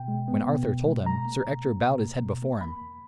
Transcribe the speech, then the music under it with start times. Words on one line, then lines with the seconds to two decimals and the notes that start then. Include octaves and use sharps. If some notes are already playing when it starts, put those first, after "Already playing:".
When Arthur told him, Sir Ector bowed his head before him.
Already playing: B2 G5
0.08 G#3
0.28 B3
0.48 B2
0.67 B2
0.86 G#3
1.06 B2 A#5
1.25 A#3
1.45 B2
1.64 A#3
1.84 B2
2.03 A#3
2.22 B2
2.42 A#3
2.61 A#3 B5
2.81 E2